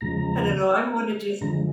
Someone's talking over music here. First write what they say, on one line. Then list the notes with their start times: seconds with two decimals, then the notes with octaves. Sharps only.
I don't know, I'm one to just
0.01 E2 C#3 F3 G#3 A#5
1.41 F#2 D3 F3 G#3 A#5